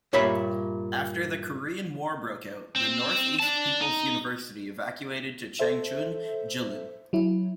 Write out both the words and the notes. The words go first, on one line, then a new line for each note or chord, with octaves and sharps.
After the Korean War broke out, the Northeast People's University evacuated to Changchun, Jilin.
G2 A#2 C#5 E5 B5
C4
D5 A5
D#4
A4 C5 E5
F#3 E4